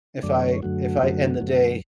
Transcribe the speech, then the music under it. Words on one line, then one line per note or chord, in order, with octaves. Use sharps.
if I if I end the day
F#2 D3 F#3 A3 D5
C#5
F#2 D3 F#3 A3 F#4
F#2 D3 F#3 A3 F#4
F#2 D3 F#3 A3